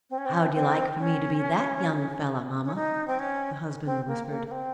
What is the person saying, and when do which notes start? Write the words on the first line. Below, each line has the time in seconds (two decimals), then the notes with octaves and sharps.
"How'd you like for me to be THAT young fella, mamma?" the husband whispered.
0.10 C4
0.18 C#4
0.26 C4
0.34 C#4
0.42 C4
0.54 C4
0.99 C#4
2.64 C#4
2.75 D#4
3.07 C4
3.19 C#4
3.86 C4
4.07 A#3
4.29 A#3
4.47 A#3
4.51 C4